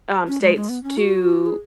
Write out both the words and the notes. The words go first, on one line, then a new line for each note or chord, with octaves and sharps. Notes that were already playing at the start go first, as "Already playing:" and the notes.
um, states to
C#4
G#3
G#3
B3
C#4
F#4
G#4